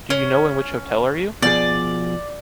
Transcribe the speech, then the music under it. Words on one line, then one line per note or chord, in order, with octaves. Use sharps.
Do you know in which hotel are you?
C#4
B2 F3 G#4 D5